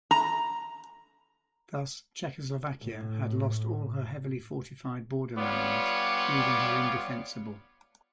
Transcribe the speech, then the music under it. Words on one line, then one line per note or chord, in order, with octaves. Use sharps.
Thus Czechoslovakia had lost all her heavily fortified borderlands, leaving her indefensible.
A#5
A2
G3 B3 F4 C#5 D5